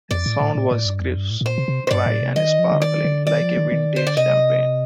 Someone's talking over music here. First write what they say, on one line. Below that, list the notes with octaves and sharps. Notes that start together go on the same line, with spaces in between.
His sound was crisp, dry, and sparkling, like a vintage champagne.
F2 D5
A2
A2
A2
A2
G2
F2
G2
A2
A2
A#2 C5
C3
C3
C5
G2 D5
A2
C3
D#3 D#5
F3
D3
D#3 D5
D3
D#3 D5
F3
D#3
D#3
D3 C5
D5
C3 D#5